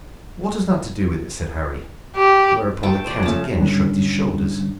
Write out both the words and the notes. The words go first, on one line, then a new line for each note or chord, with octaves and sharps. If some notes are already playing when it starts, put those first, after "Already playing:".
"What has that to do with it?" said Harry; whereupon the count again shrugged his shoulders.
G4
A3 G5 A5
C5 D5
C#3 F3 A3 A5
G#2 D3 G3 C#4 D4